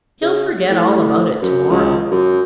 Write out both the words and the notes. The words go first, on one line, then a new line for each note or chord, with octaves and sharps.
He'll forget all about it to-morrow.'
C#3
A2
F#2
C#2
F#2